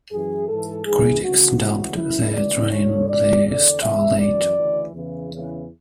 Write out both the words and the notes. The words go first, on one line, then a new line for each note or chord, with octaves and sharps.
Critics dubbed the train the "Star-late".
F#2 E3 G#4
G#2 E3 A4
G#2 E3 G#4
D2 C#3 E3 F#4
D2 C#3 E3 F#4
F#2 C#3 E3 E4
D2 C#3 E3 D5
D2 D3 C#5
C#2 C#3 E3 D5
E2 D3 D5
E2 C#3 E3 E5
F#2 E3 D5
D2 C#3 E3
E2 C#3 E3
E2 C#3 E3